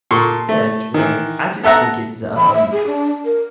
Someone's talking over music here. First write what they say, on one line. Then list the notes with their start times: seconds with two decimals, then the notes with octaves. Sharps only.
Yeah, true. I just think it's, um,
0.11 A#2 A4 C6 C#6
0.49 A3
0.94 D#3 E3
1.63 B3 A4 E5 F#5 A#5
2.37 B5
2.53 E5
2.72 G#4
2.87 D4
3.25 A#4